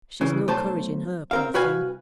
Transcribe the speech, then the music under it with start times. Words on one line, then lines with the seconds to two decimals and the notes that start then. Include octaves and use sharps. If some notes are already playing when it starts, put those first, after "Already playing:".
She's no courage in her, poor thing!'
0.21 C#3 E3
0.48 B1 B2 A3 C5 A5
1.31 C4 A#4 F5
1.54 C2 F#4 B4 F5 G#5